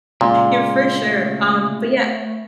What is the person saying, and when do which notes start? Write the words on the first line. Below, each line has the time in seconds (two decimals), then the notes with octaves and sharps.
Yeah, for sure, um, but, yeah,
0.21 A#2 C#3 G#3 C6
1.03 A3